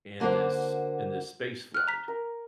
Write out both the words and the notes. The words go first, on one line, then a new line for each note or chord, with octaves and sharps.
in this in this spaceflight
D3 A#3 D4 F#4 C5
F6 F#6
A#5 B6
A#4